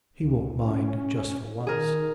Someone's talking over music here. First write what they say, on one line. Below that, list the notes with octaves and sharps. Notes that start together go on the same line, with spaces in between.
He won't mind just for once.
C#2
C#4
D#3 G#4 A#4